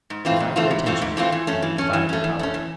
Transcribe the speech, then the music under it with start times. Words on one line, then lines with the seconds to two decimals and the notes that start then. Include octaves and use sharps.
Divide your attention and you divide your power.
0.10 G#2
0.25 E3 A3 C4 F4
0.40 G#2
0.56 E3 A3 C4 F4
0.71 G#2
0.86 E3 A3 C4 F4
1.02 G#2
1.17 E3 A3 C4 F4
1.32 E3
1.47 A3 C#4
1.62 E3
1.78 A3 C#4
1.93 E3
2.09 A3 C#4
2.24 E3
2.39 A3 C#4
2.54 E3